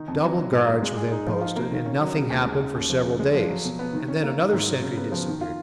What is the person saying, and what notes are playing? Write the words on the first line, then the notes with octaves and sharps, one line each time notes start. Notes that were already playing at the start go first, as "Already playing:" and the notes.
Double guards were then posted, and nothing happened for several days--and then another sentry disappeared.
Already playing: D#3 D#4
F2
F#3
F#3
G#2
A#3
G#3
G#4
D#4
F3
F4
A#3
D#3
C#4
F#3
C#3
D#2
G#3
C#3
D#2
F3
C#3
G#3
F3
F#3
B2
B3
D#3
C#4
A#3
D#3
G#2
F#3
C#3
B3
F3
D#3
F4